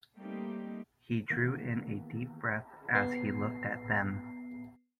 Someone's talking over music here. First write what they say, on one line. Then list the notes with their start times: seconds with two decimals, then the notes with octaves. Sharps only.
He drew in a deep breath as he looked at them.
0.16 G3 A3 A#3 C4 D#4 G4
1.30 D#3 E3 A#3 B3
2.95 B3 C7